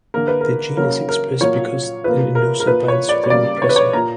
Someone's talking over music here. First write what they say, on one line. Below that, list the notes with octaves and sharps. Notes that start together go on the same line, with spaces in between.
The gene is expressed because an inducer binds to the repressor.
D3 A#3 A#4
B4
A#4
C#3 F#3 A#3 A#4
A#4
A#2 F#3 A#3 C#5
A#2 A#3 B4
A#4
A#4
A#2 A#3 B4
C#5
D5
C#5
C#3 G3 A#3 D5
C#5
B4
C#5
A#2 A#3 A#5